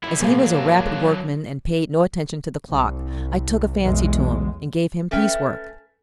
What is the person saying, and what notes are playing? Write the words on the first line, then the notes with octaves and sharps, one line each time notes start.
As he was a rapid workman and paid no attention to the clock, I took a fancy to him, and gave him piece-work.
F#2 G3 E4
B1 A2 A#3 G#4 F5
F#3 D4
C2
B1 E2 G#3
A3 C#4 B4 G5